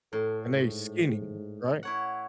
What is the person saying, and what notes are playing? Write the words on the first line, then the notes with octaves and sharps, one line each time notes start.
and they skinny, right?
A2 A4
G#2
E4 C#5 F#5